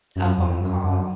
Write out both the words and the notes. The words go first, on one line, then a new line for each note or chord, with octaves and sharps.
A phone call.
F#2
F2
F#2
F#2